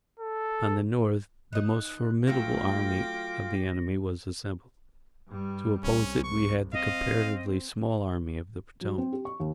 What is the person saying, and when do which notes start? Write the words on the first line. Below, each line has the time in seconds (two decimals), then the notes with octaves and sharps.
On the north, the most formidable army of the enemy was assembled; to oppose it we had the comparatively small Army of the Potomac.
0.19 A4
1.53 D#4 D#5 F#6
2.27 F#3 A3 F4 F#4 G5 D6 A#6
5.28 G2 G3
5.83 C2 C#4
6.24 C#6
6.73 C4 D#5 F5
8.81 F#3
8.98 C4
9.13 G4
9.25 C#6
9.40 D#2